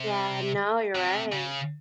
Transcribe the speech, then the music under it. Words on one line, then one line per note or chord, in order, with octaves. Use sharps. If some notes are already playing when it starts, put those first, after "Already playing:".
Yeah. No, you're right.
Already playing: C3
C3
C#3